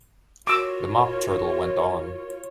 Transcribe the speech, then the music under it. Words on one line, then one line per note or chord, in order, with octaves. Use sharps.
The Mock Turtle went on.
F4 F#4 A#4 C#5 D6 E6